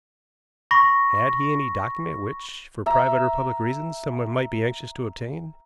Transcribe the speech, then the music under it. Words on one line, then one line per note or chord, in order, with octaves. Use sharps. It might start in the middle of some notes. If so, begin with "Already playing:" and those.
Had he any document which, for private or public reasons, someone might be anxious to obtain?
B5 C#6 A#6
E5 A#5